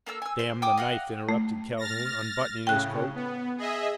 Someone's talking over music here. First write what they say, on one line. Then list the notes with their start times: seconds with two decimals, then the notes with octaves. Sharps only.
"Damn the knife!" interrupted Calhoun, unbuttoning his coat.
0.06 A#3 A4 G#5 E6
0.22 G#5 E6
0.39 C5
0.62 G5 G#5 D6 D#6
0.78 D#5 F5 F#5
1.29 A3
1.77 F6 A6 A#6
2.67 A2 C#3 G5 F#6
3.15 B3
3.58 G#4 D#5 E5